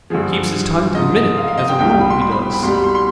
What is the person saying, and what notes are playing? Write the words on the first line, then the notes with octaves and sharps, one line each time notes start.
"Keeps his time to the minute, as a rule, he does."
G2 D3 F3 G#4
G#2 F3 D#5
D#5
F5
F5
D#5
G5
C2 B2 G3 G5
G5
B5
C6
C6
B5
B5
B5
C2 B2 G3 C6
B5
C6
C6